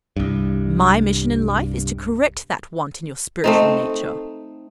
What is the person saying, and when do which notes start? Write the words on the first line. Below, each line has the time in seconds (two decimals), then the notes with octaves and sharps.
My mission in life is to correct that want in your spiritual nature.
0.17 C2 G2
3.44 A3 C4 D#4